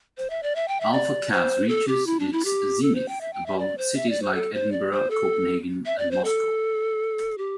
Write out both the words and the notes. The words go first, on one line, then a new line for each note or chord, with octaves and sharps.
Alpha Cas reaches its zenith above cities like Edinburgh, Copenhagen and Moscow.
C5
E5
D5
E5
G5
E5
D5
C5
A4
G4
E4
D4
E4
G4
A4
C5
G5
E5
G5
E5
D5
C5
E5
D5
C5
A4
C5
D5
C5
A4
E5
D5
C5
A4
G4